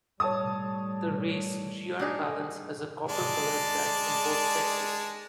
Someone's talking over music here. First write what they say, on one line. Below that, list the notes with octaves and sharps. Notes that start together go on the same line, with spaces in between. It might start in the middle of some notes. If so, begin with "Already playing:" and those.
The race "G. r. pallens" has a copper-coloured back in both sexes.
A2 G3 C#5 A5 D#6
D4 D#4 G#4
G#3 D5 A5